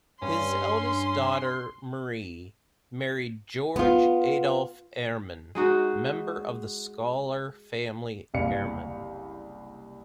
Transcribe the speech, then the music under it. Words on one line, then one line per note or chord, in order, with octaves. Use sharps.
His eldest daughter, Marie, married Georg Adolf Erman, member of the scholar family Erman.
G2 C#4 C6
B3 F4
G#3 D#4 F#4
F#1 C2 D5 F5 C#7